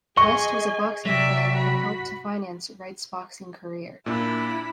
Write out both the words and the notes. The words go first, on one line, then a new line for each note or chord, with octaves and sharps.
West was a boxing fan and helped to finance Wright's boxing career.
G#4 D#5 G#5 C#6
C3 F#3 D5 E5
F#4 B5
A#2 A#3 D4 E4 B5